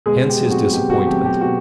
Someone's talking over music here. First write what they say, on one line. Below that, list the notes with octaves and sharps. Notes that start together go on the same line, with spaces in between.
Hence his disappointment.
B2 G#3 G#4
G4
F#3 A3 C4
F#4
B2 G4
F#4
F#3 A3 C4 G4
G4
B2 F#4